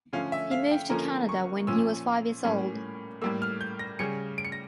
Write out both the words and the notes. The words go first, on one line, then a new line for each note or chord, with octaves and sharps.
He moved to Canada when he was five years old.
D3 F3 A3 C#4 F5
E5
F5
G5
D3 F3 A#3 C#4 A#5
C#6
A#2 F3 C#4 E6
A2 G3 A#3 C#4
A2 G3 A#3 E6
F6
G6
A#6
C#3 G3 C#4 C#7
D7
C#7
A#6